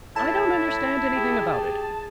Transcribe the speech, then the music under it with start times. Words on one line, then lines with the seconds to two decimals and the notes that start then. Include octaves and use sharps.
I don't understand anything about it.
0.16 A2 E4 A5
1.16 G4 G#4